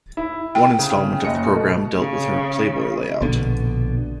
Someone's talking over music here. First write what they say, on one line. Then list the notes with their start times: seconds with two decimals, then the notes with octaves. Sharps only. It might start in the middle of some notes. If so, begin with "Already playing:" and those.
One installment of the program dealt with her "Playboy" layout.
0.17 E4
0.55 G5
0.79 C#3
1.25 F#1 D#5 C#7
1.47 B2 A3
1.99 C#3
3.21 A#1 B2 D3